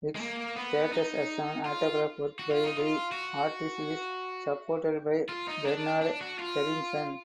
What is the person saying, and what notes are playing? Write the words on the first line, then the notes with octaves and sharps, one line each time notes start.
Its status as an autograph work by the artist is supported by Bernard Berenson.
G#3
A#3
B3
D#4
F4
F#4
F4
D#4
F4
F#4
F4
D#4
D4
D4
F#4
F4